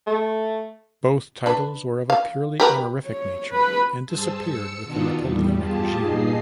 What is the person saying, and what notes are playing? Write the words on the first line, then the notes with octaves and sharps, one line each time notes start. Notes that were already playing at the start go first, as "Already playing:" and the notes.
Both titles were of a purely honorific nature and disappeared with the Napoleonic regime.
A3
D4 B4
F5
G4 A#4 B4
C#5
B4
G2 G#4 C5 A5 E6
E6 C#7
B2 D#3 B3 D4 D#4 F4
E2 G3
F4 G4 G#4 A5
G2 A#2 D#4 G#4 D#5 C7